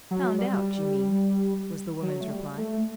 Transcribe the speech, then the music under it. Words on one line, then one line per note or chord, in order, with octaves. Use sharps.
"Found out, you mean," was the woman's reply.
F#3
G3
F#3
A3
G3
A3